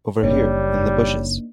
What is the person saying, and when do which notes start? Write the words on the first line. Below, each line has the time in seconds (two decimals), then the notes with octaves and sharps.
Over here in the bushes.
0.23 F#1 G3 A#3 D4 D#4 C#5